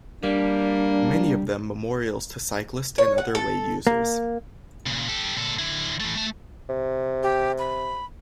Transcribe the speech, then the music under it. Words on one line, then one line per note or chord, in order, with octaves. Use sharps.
Many of them memorials to cyclists and other way users.
G3 A#3 D4
C#5
F#5
A4
A#3
A#2 C#3
G4 A4
A#2 A4
D3 E4
E3 A3
A3 A5
C3
G4
B5